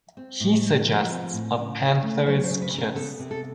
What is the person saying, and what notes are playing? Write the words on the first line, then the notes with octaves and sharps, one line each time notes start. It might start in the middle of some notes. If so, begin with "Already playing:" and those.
He suggests a Panther's Kiss.
C4
A2
G#3
F3 B4
C4
A2
C#3
C#3
A3
F#3 C5
C5
C#3
B4
C#3
A#4
B3 A4
C3
A4